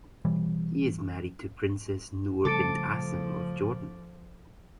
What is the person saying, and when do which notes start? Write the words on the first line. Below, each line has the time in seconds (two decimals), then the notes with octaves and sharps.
He is married to Princess Noor bint Asem of Jordan.
0.25 B2 E3 G3
2.45 C#3 F3 G3 A3 A4 D6 A6 D7